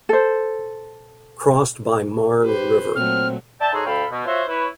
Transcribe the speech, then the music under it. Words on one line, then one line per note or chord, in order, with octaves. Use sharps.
Crossed by Marne River.
A4 C5
G4 B4 C5
A#2 F#3 A3 C4 F6
D5 E5 G5 A5
D#4 F#4 G#4 A4 C5 C#5
D2 A4 F5 G5 B5
B2
F4 F#4 C5 C#5 E5
E4 B4 C#5